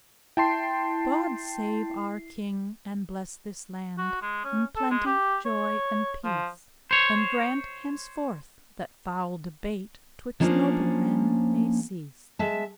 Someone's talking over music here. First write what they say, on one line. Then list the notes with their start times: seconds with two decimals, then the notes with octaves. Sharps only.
God save our king, and bless this land In plentye, joy, and peace; And grant henceforth, that foule debate 'Twixt noblemen may cease!
0.37 E4 G5 A5 C6 C7
3.98 F#4
4.22 G#3
4.45 C#4
4.76 A4
4.91 G#3
5.06 G4
5.46 C#5
6.24 F3
6.91 C5 C#5
10.40 F3 A#3 C#4 D4 C5
12.39 G#3 E5 A5